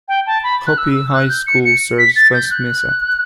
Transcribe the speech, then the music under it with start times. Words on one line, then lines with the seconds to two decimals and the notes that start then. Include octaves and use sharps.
Hopi High School serves First Mesa.
0.08 G5
0.27 A5
0.43 B5
0.67 F#6
0.78 E6
0.95 E6
1.13 F#6
1.29 G6
1.47 C#7
1.65 C#7
1.99 B6
2.16 A6
2.33 G6
2.51 F#6